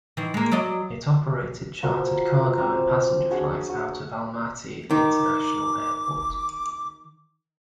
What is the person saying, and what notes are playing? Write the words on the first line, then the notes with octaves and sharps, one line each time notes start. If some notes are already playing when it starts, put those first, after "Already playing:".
It operated chartered cargo and passenger flights out of Almaty International Airport.
D#3 E3
G#3 A#3
F#3 D5 D#5
F3 F#4 A#4 F5
A#4
C4 C#4 A#5 D6
D4 F#4 G#4 C#5
F#4
D#3 D6